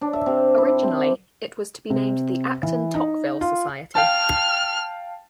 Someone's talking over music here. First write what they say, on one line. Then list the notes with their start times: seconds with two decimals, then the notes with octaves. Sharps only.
Originally, it was to be named the Acton-Tocqueville Society.
0.01 D4
0.13 E5
0.26 C3
0.58 E4
0.83 C4
1.90 C3
2.63 E3
2.95 D#4
3.41 F4
3.95 F5 G5 A5 F6